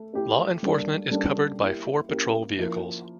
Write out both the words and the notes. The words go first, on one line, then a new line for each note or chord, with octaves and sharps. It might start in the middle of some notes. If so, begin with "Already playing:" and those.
Law Enforcement is covered by four patrol vehicles.
Already playing: A3
A3 E4 G4
G3 A#3 D4 A4 D5
G3 A#3 D4 A4 D5
A#3 E4 G4
A#3 E4 G4
F3 A#3 E4